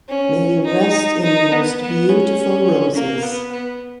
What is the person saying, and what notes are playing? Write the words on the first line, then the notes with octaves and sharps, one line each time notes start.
May you rest in the most beautiful roses.
C#4
D#4
D#4
B3
B3
C#4
A#3
B3
B3